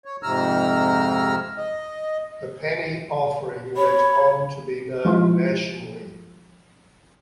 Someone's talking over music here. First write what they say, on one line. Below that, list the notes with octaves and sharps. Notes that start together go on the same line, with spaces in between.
The Penny Offering went on to be known nationally.
C#5
F2 G#2 C3 A#5 E6 F6
D#5
C#5 B5
F3 G#3 E4 F4